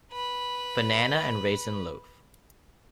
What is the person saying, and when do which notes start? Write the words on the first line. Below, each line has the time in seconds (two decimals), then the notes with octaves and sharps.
Banana and raisin loaf.
0.12 B4 B5